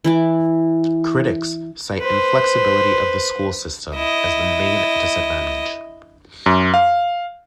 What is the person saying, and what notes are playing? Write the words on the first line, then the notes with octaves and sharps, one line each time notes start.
Critics cite inflexibility of the school system as the main disadvantage.
E3 E4 D6
B4 C5
E4 D#5
F#2
F5